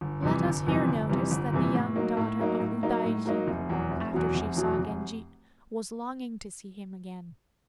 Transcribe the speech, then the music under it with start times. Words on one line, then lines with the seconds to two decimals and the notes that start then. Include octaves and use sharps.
Let us here notice that the young daughter of Udaijin, after she saw Genji, was longing to see him again.
0.01 G1
0.22 F2 C3 E3 G3
0.45 G1
0.67 F2 C3 E3 G3
0.87 G1
1.09 F2 C3 E3 G3
1.31 G1
1.52 F2 C3 E3 G3
1.75 A2
1.96 F#3 A#3 D#4
2.17 A2
2.39 F#3 A#3 D#4
2.60 A2
2.83 F#3 A#3 D#4
3.04 A2
3.25 F#3 A#3 D#4
3.47 F1
3.69 E2 B2 F#3
3.91 F1
4.13 E2 B2 F#3
4.34 F1
4.56 E2 B2 F#3
4.78 F1